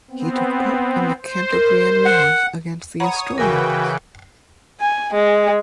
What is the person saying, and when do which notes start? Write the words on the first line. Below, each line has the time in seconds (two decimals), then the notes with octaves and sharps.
He took part in the Cantabrian Wars against the Asturians.
0.11 B3 C4
1.22 C5
1.53 A#4
2.05 F#5
3.00 C#5 F#5 A#5 B5 D#6
3.38 C#3 E3 F#4 A#4 B4 G5 G#5
4.81 G#5
5.14 G#3